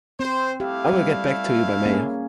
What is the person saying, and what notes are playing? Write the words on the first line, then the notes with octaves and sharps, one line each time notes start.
I will get back to you by mail.
C4 C5
A3 E4 G4 F5
G3
A#3 C#4 G#4